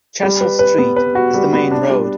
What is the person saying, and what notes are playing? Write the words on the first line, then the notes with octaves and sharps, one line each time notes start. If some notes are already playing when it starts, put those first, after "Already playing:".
Chessel Street is the main road.
G3
B4
B4
B3
B4
F#4
G3
B3
D4
G3